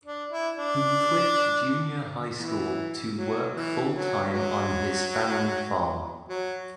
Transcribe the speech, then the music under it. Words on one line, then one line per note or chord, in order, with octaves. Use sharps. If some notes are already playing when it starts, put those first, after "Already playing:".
He quit junior high school to work full-time on his family farm.
D4
E4
D4
E3
F#3
E3
F#3
F#3
F#3